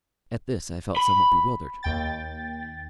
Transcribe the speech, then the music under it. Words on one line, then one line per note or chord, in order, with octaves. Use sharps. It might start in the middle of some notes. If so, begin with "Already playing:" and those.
At this I felt somewhat bewildered.
B5
D#2 G5 A6